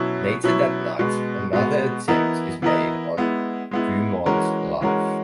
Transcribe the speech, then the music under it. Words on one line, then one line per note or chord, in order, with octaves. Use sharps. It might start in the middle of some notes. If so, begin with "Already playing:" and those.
Later that night, another attempt is made on Drummond's life.
Already playing: B2 F#3 C#4 E4
B2 F#3 C#4 E4
B2 G#3 B3
B2 G#3 B3
E3 B3 E4 A#4 D#5
E3 B3 E4 A#4 D#5
G#3 B3 E4
G#3 B3 E4
E3 G#3 C#4 F#4 A#4
E3 G#3 C#4 F#4 A#4